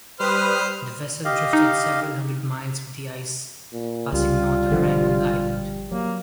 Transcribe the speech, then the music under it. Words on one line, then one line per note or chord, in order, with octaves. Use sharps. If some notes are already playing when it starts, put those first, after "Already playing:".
The vessel drifted several hundred miles with the ice, passing north of Wrangel Island.
G3 B4 C5 D#6 F6
G4 D#5 F5
D#4
A#2
C#2 G3 F4
G#1 D3 F3
F#3 A#3